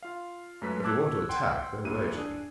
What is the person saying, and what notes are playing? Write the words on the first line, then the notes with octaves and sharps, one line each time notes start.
"If we want to attack they're waiting."
F4 F5
F#2 G#3 A3 B4 B6
A5 D6 E6 F#6 G#6
F#5 G5 C6
C2 A#3 F4 D#7
D4 G#4